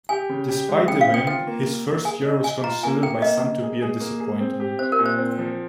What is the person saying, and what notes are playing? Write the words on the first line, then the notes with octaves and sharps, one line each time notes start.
Despite the win, his first year was considered by some to be a disappointment.
G4 G#5
C#3
G4
G#3
C#3 G5
F5
C4
G5
F4 G5
A#3
A#3
A#3
G#4 G#5
D#5
D#5 G#5
F4 A#5
A#3 G#5
A#3 G5
A#3 D#5
A#3
G#4
G#4
A#3
G#4
C4
G4
C4 C5
A#4
A#2
C5
C4
F3